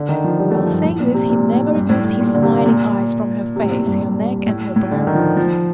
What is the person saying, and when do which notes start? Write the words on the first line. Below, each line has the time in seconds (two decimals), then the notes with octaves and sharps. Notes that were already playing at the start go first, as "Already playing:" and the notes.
While saying this he never removed his smiling eyes from her face, her neck, and her bare arms.
Already playing: D3
0.09 D#3
0.24 F3
0.39 G3
0.51 A3
0.62 F3
0.73 G2
0.84 A2
1.00 A#2
1.14 C3
1.30 A#2
1.52 A2
1.75 G2
1.89 A2
2.05 A2
2.20 A#2
2.35 D3
2.43 C3
2.66 A#2
3.56 C3
3.64 A2
3.71 A#2
3.87 G2
4.47 A2
4.76 A2
4.91 D3
5.07 D#3
5.15 F3
5.37 F3